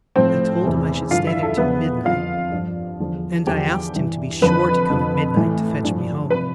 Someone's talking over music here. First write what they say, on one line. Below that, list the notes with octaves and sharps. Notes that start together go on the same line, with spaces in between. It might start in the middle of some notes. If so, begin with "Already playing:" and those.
I told him I should stay there till midnight, and I asked him to be sure to come at midnight to fetch me home.
A2 F3 C4 C5
E2 C3 E3
G2 D3 F3 F4 F5
E4 E5
A4
E2 D3 F3 B3 B4
F2 D3 F3 F4 F5
G2 F3
E2 D3 F3
E2 D3 F3 G4 G5
G2 E3
F2 D3 F3 B4 B5
F2 D3 F3
A2 E3
G2 F3
C3 F3 B4 B5